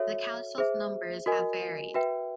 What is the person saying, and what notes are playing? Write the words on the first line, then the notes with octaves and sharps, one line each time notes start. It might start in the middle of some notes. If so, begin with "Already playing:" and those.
The council's numbers have varied.
Already playing: F#4 A4 C#5 E5
G#4 C5 E5
F#4 A#4 D#5 G#5
F#4 B4 E5 G5